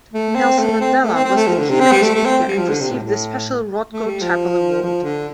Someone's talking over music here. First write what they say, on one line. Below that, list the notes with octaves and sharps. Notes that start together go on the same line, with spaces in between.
Nelson Mandela was the keynote speaker and received the special Rothko Chapel award.
A3
C4
A3
C4
A3
C4
C4
A3
F3
D3
C3
C4
G3
A3
A3
C4
G3
F3
D3
C3
A2
A2
A3
G3
F3
F3
D3